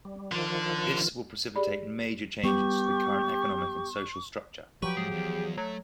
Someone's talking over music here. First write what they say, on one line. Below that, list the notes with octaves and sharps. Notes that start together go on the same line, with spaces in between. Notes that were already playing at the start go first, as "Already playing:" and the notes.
This will precipitate major changes to the current economic and social structure.
G3
D3 D#3 F3 F4
G4 G#4 D5 B5
G3 B3 G4 C#6
F3 F#3 G4 B4 C#6
G#2 G#4
E2
F#3 A3